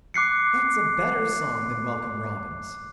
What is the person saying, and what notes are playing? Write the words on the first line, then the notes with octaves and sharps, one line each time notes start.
That's a better song than Welcome Robin's.
D6 F#6 C7 C#7